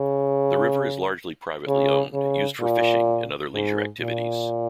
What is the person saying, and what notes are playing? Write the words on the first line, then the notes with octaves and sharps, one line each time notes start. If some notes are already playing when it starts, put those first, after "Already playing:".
The river is largely privately owned, used for fishing and other leisure activities.
Already playing: C#3
C#3
C#3
A#2
G#2
A#2